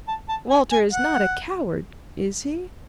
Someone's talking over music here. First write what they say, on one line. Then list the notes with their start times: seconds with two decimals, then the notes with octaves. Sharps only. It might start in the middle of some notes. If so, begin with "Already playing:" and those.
'Walter is not a coward, is he?'
0.08 A5
0.29 A5
0.50 G#5
0.72 G#5
0.93 F#5